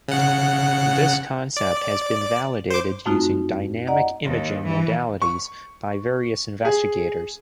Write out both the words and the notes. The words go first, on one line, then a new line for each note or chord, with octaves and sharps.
This concept has been validated using dynamic imaging modalities by various investigators.
C#3 F#5
D5
C5 D6
F#2 A3 C4 D#4 F4 F#4
D5 D#5 F#5 A#5
D#2
E3
C#6
G#4